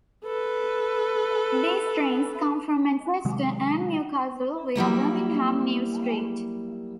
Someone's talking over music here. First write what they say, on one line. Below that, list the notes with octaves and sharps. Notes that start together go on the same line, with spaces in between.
These trains come from Manchester and Newcastle via Birmingham New street.
A4 B4
C3 D#3 F#3 G#3
F#3 G3 A#3 E4